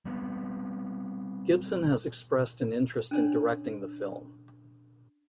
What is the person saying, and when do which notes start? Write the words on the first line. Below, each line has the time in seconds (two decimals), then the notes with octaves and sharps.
Gibson has expressed an interest in directing the film.
0.05 G3 B3 C4
3.11 C#4 D4 C#5